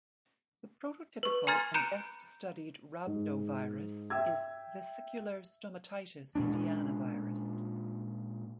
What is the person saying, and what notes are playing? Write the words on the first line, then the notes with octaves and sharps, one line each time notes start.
The prototypical and best studied rhabdovirus is vesicular stomatitis Indiana virus.
B4 C#6
G#5 A#5 C6 F6 G#6 A6
A#5 B5 F#6 G6 C#7 D7
G#2
E5 G5 E6 G#6
A#2 G#3 C#4 D4